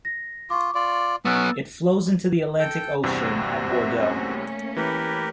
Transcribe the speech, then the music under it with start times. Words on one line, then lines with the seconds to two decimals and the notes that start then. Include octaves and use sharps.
It flows into the Atlantic Ocean at Bordeaux.
0.05 A#6
0.50 F4 C#6 D6
0.75 F4 D5
1.25 F#3 B3 C#4 F#5 E6 A6
2.59 A4 G5
3.03 E2 G2 C3 C4 F#4
3.64 F#2 B2 E5
3.99 A3 A#3 C#4
4.76 E3 G4 A#4 B4